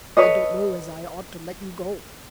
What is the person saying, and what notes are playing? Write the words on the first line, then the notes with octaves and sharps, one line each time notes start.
"I don't know as I ought to let you go."
A4 B4 C#5 D#5